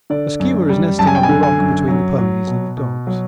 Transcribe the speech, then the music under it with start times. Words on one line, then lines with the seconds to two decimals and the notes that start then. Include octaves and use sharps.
A skua is nesting on a rock between the ponies and the dogs.
0.10 D3 D5
0.40 F#2
0.69 G3
0.99 F#2 A5
1.07 G#5
1.15 G5
1.23 G#5
1.29 D3
1.43 G#5
1.58 F#2
1.88 F#3
2.18 F#3
2.47 B2
2.77 B2
3.07 F#3